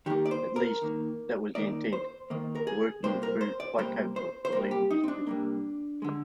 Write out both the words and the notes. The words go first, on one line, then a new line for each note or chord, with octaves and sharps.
At least, that was the intent; Dworkin proved quite capable of leaving his prison.
D#3 A#3 G4
D5
C5
A#4
D#3 A#3
D#3 A#3 D5
C5
D#3 A#3
A#4
G#4
C3 G3 A#3 C5
A#4
C5
D5
C3 G3 A#3 C5
C5
C5
C3 G3 A#3 A#4
G4
D#4
C4
D4
C3 G3 A#3
D3 G#3